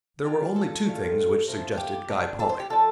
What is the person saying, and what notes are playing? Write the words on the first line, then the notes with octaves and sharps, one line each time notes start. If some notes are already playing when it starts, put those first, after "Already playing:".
There were only two things which suggested Guy Pollock.
F3 D4 F4 G4
A4
A2 G3 F4
C3 F3 A3
G4
C3 G3 D4
A4
C5
G4
F3 D4 F4 A4